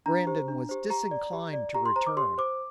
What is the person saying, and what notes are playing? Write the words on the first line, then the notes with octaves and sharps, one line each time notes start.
Brandon was disinclined to return.
D4 A#5
G4 C5
D4
G4 C5
G4 A#5
D5
G4
D5
G4 A#5
C6
C5 A#5
D6
G4 C6
C5 D6